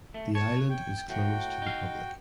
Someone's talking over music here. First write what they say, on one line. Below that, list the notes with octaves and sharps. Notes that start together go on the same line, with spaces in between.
The island is closed to the public.
A3
C#5 A5
G5
A2 F#4 G5
D#4 F5